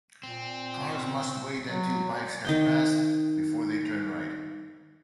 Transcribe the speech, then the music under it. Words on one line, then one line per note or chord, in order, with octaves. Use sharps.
Cars must wait until bikes have passed, before they turn right.
A#2 C4
F#3
D#3 D#5 G5